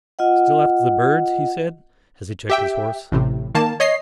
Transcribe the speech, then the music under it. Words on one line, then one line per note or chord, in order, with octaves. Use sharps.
"Still after the birds?" he said, as he checked his horse.
F4 D#5 F#5
G4 E5 G5
A1 A2 C3
D#3 A#3 A5
C#5 D#5 C7